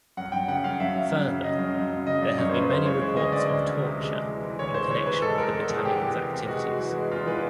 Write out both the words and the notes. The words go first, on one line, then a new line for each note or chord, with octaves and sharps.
Further, there have been many reports of torture in connection with the battalion's activities.
F#2 F#5
F#2 G5
C#3 F#5
F#2 F5
F#2 E5
F#2
F#2
C#3
C#3 D#5
F#2
F#2
F#2
C#3 D#5
F#2 D5
F#2 C#5
C5
C#3 B4
G#3 C5
E3 C#5
G#3
D2 D#5
D2 D5
D2
D2
C3
G#3
G#3
E3
E3
D2 C#5
G#3 C5
E3 C#5
C3 B4
G#3 A4
E2 A#4
E2 A4
E2 G#4
C3 G4
E3
E3
C3
G#3 F#4
G#3
E3
G#3
E2 F4
E3 B4